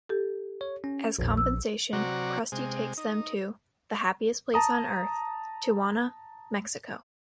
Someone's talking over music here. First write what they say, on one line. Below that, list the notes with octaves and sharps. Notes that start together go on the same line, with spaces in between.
As compensation, Krusty takes them to "the happiest place on Earth", Tijuana, Mexico.
G4 A4
C#5
C#4
A#1 E2 A#2
A#1 E6
C3 F#3 F#4 D5 A#5
C3 G#3
D#4
A5 A#5 D#6